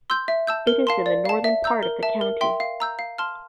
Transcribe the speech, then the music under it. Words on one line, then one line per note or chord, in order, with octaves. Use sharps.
It is in the northern part of the county.
C6 E6 G6
E5
A5 E6 G6
A#4
F5 A5 C6
D5
F5 A5
E5
A#5 E6 G6
A#4
E5 A5
A#4
E5 G5 C6
F5
A#5 E6 G6
F5
A5 C6 F6